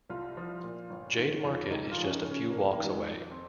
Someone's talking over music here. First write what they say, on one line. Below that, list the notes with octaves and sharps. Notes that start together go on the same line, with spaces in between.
Jade Market is just a few walks away.
C2 F4
F3
A#2
G1
D#3
F2
C#2 D#4
F4
F3
C#4
D#4
C#3
C#4
F1 A#3
A#3
D#3
G3
G#3
F2
C4